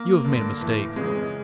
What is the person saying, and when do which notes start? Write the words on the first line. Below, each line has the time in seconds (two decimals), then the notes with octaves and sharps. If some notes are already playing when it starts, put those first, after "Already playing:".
You have made a mistake.
Already playing: A#3
0.24 G2 D3
0.61 A2 E3
0.96 F#2 C#3 E3 G#3